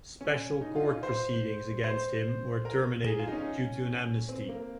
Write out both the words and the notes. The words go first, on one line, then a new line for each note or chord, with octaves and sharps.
Special court proceedings against him were terminated due to an amnesty.
C#4
D#4
F4
F4
C5
C5
A#4
G#4
F4
D#4
C#4
C4
A#3